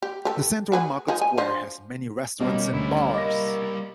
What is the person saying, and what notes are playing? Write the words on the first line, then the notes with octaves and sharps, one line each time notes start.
The central market square has many restaurants and bars.
G4
G4 A4
F#4 G#4 B4
F3 D#4 G#4
G#5
F3 D4 C5
B2 G3 A#3 C#4 D#4 D#5 F5
D2 G3 E4 B6
A#3 D#5 B5 D6 A#6